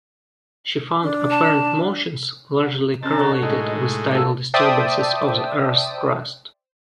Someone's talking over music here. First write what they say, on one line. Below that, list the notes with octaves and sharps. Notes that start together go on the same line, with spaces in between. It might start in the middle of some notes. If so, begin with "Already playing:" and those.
She found apparent motions largely correlated with tidal disturbances of the earth's crust.
D4
A5
C3 C#4 D#5 A5 A#5
D3 F#4 C#5
A2 G#3 D#4 D#5
A#2 F#4 A4 E6
C5 D5 E5 G5 A5 D#6